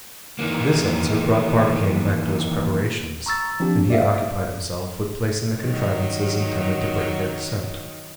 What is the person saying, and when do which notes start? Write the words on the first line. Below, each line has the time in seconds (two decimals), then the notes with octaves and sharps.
This answer brought Barbicane back to his preparations, and he occupied himself with placing the contrivances intended to break their descent.
0.39 D#3 E3 A#3
3.26 A#5 C#6 E6 A6
3.60 F3 C4 D4 G4
3.90 D5 E5 F5
5.61 D#3 F#3